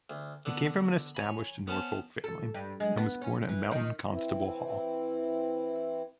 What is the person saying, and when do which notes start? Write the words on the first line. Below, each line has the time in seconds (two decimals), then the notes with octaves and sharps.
He came from an established Norfolk family, and was born at Melton Constable Hall.
0.10 D2
0.45 D3 B3
1.15 C#5 G#5 B5
1.67 B3 C#4 C5 A5
2.24 A4
2.54 G2
2.80 G#3
2.98 B3
3.22 C#4
3.49 E3
3.71 D#3
4.10 E3 C4 E4